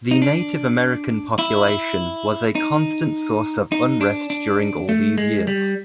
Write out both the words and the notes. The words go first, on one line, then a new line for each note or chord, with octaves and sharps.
The Native American population was a constant source of unrest during all these years.
D#4
D4
E4
D#4
D#4
D4
D4
A3
G#3
G3